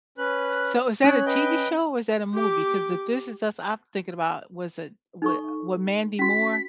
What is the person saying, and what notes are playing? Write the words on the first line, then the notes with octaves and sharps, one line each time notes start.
So, is that a TV show or is that a movie? 'Cause the "This Is Us" I'm thinking about was a wa wa Mandy Moore
C#4 B4 F#6
C#4 C#5 F#6
B4 D#5 G5
G4 D6
D#4 A4 C#6
C#4 F#4 B6